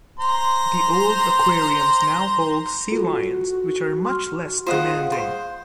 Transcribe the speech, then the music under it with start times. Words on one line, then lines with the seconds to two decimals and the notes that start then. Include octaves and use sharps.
The old aquariums now hold sea lions, which are much less demanding.
0.20 C5 A#5 C6
2.92 F4 F#4 A4
4.05 C6 F6
4.66 F4 G#4 C5 D#5 F5 F#5
5.12 C5